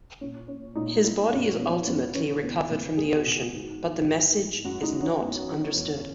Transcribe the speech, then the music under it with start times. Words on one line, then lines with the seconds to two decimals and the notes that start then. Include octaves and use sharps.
His body is ultimately recovered from the ocean, but the message is not understood.
0.21 A#2 C#4
0.48 C#4
0.75 A#2 D#4
1.04 E4
1.32 F#2 C#4
1.59 E3 B3
1.87 F#2 B3
2.14 E3 C#4
2.43 E2 B3
2.70 C#3 E3 B3
2.97 E2 G#4
3.16 F#4
3.26 C#3 E3
3.35 F#4
3.53 G#2
3.82 E3
4.09 G#2
4.37 E3
4.65 F#2 F#4
4.83 D#4
4.92 E3
5.02 C#4
5.20 F#2 B3
5.48 E3 C#4
5.76 E2